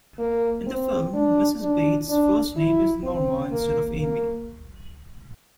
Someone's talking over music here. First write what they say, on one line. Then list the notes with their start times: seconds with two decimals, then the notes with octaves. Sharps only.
In the film, Mrs. Bates' first name is Norma instead of Amy.
0.18 A#3
0.66 C4
1.13 D4
1.61 D4
2.09 D4
2.56 E4
3.03 C4
3.51 A#3
3.98 A#3